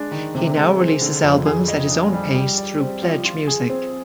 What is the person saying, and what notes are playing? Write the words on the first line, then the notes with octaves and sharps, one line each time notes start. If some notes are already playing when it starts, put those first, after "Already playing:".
He now releases albums at his own pace through PledgeMusic.
Already playing: G#3 D4
D#3
C3
G#3
C4
D3
F2
G#4
D#5
D4
G3
G4
D5
C4
F3
F4
G#4
C4